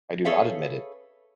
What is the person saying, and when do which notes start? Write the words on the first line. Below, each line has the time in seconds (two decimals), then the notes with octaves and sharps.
I do not admit it.
0.25 G#4 A4 B4 C#5 E5 F5